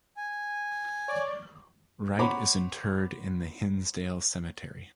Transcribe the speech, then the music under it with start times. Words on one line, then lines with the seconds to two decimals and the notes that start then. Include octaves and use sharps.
Wright is interred in the Hinsdale Cemetery.
0.17 G#5
1.08 C#5 D5
2.19 C5 C#5 F#5 A#5 B5 D6